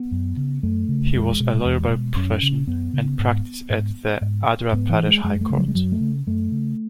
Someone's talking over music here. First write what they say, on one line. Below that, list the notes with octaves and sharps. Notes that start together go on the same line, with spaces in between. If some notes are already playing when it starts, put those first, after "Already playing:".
He was a lawyer by profession and practised at the Andhra Pradesh High Court.
Already playing: B3
F#2
C#3
F#2 A3
C#3
E2 G#3
B2
E2
B2
F#2 C#4
C#3
F#2 B3
C#3
G#2
G#2
G#2
G#2 B3
E3
G#3
F#2 G#3
A3
C#3 G#3
F#3
G#3
F#2 F#3
A3
C#3
F#2 A3
C#3